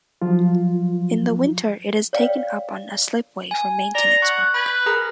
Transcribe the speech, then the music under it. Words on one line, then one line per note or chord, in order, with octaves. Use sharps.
In the winter it is taken up on a slipway for maintenance work.
F3 F#3 F4
C#5 D5 F5 G5
G#5
D5 A#5
F#5 C#6
B4 B5 G6 G#6
G#4 A#4 A#5